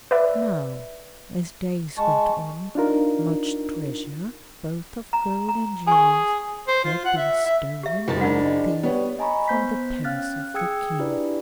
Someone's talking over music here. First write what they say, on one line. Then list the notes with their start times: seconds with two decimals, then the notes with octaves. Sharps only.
Now, as days went on, much treasure, both of gold and jewels, had been stolen by a thief from the palace of the King.
0.11 B4 D5 E5
1.98 G#3 A5 C#6
2.75 D4 D#4 F4 A#4
5.13 A#5
5.49 A#5
5.87 G#4 G#5 C#6
6.68 C5
6.85 F4
7.05 F#5
7.17 E5
7.45 E5
7.83 G4 E5
8.08 F#1 D#3 G5 A6
8.21 D4 D#4 F4 A#4 F#5
8.44 G#3
8.83 G3 B3 C#5
9.19 D#5 G#5 A#5 B5 C#6
9.48 B3 C5 G6 B6
10.04 C#4 F5 F6 F#6 A6
10.23 F#6
10.54 G#4 G5 D#6 E6 G#6 C#7
10.99 D4 E4 F4 G4 B4 D5